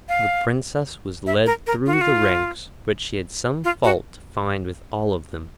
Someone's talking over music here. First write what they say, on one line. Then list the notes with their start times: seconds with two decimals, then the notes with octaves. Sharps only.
The Princess was led through the ranks, but she had some fault to find with all of them.
0.09 F5
1.27 E5
1.46 A#4
1.67 A#4
1.86 F4
1.93 F#4
2.01 F4
3.64 F4
3.84 F#4